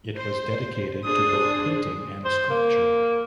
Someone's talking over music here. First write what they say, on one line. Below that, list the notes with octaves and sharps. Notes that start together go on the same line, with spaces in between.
It was dedicated to both painting and sculpture.
C5
D4 G#4 C5 D#6
C5
A#3